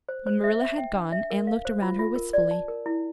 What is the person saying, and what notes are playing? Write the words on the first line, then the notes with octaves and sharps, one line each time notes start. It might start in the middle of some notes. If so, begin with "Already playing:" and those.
When Marilla had gone Anne looked around her wistfully.
C5
C5
E5
E5
G5
D4
E5
A#4
F5
C5
F4
F4
A#4
D5
A5
A#4
E4